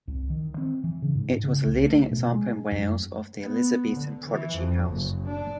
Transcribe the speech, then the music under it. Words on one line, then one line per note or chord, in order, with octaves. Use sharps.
It was a leading example in Wales of the Elizabethan prodigy house.
C2
D#3
C4
E3
C#3
G#2
C#3
C2
A3
B2
G#3
F#2
B3
D3
E3
F2
F#1
D4